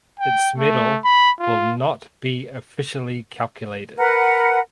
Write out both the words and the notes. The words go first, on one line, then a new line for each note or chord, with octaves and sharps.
Its medal will not be officially calculated.
G5
A3
B5
F4
A#4 B4 F#5